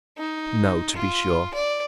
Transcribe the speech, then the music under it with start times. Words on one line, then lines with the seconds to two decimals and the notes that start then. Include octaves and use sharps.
No, to be sure!
0.18 D#4
0.96 F4
1.54 D5